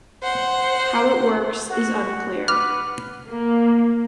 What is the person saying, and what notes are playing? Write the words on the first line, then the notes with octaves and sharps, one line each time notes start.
How it works is unclear.
C5 F#5
F#4 F#5
B4 D6 F6
A#3